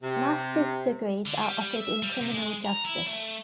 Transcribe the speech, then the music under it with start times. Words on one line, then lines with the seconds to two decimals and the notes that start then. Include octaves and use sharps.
Master's degrees are offered in Criminal Justice.
0.03 C3
1.27 D3
1.41 G3
1.76 E5
2.03 G3
2.21 C3
2.34 G#3
2.65 A#5
2.86 E4
3.07 A3